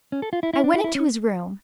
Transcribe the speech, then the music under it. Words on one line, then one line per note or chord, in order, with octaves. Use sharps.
I went into his room.
C#4
A4
F4
E4
E4
D4
E4
E4
C#4